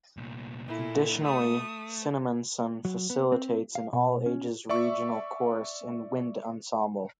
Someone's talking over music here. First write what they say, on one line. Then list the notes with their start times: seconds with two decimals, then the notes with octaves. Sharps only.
Additionally, Cinnaminson facilitates an all-ages regional chorus and wind ensemble.
0.17 C2 A#2
0.68 A#2 A#3 E4 A4
1.24 A3 D#6
2.85 F#3
3.10 B3
3.32 C4
3.75 F5
3.93 B2
4.26 C#4
4.69 D5 E5 C#6